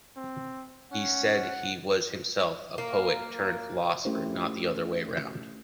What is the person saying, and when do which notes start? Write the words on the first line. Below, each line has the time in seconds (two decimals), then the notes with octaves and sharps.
He said he was himself a poet turned philosopher, not the other way around.
0.17 C4
0.92 C#4 F#5
2.78 A#3
4.05 A3 C#4 E4 G4 A#4 C5